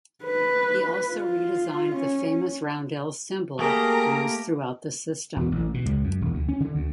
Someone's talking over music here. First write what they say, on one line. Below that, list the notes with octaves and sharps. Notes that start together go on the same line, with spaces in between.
He also redesigned the famous roundel symbol used throughout the system.
B4
F4
C#4
A3 A#3 G4 G#4 A#4
E1
A1
B2
C#2
F#2
E1
D2
C#4
D3
D2